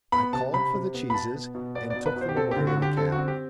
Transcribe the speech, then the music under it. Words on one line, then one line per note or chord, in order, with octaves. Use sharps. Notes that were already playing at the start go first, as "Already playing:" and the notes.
I called for the cheeses, and took them away in a cab.
B3 B5
C3 A5
C3 B5
C3
B3
B5
B2 A5
B3
B2
B3 D5
D5
B2
B4
B2
C5
G4
C4 A4
G4
D3
F#4
D3
G4
C4 A4
F#4
C4
G4